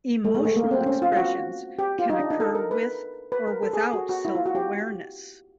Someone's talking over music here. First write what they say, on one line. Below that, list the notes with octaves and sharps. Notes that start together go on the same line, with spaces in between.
Emotional expressions can occur with or without self-awareness.
A3
G#3
A3
A#3
C4
C#4
F4
F4
F#4
G4
F4
D#4
D4
D#4
A4
A#4
B4
B4
A#4
A4
G#4
F#4
F#4
E4
F4
F#4
G4